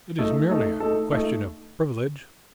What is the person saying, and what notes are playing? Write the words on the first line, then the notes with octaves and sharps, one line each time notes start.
"It is merely a question of privilege."
A3 D#4 A4
A3 D#4 A4
A3 D#4 A4
A3 D#4 A4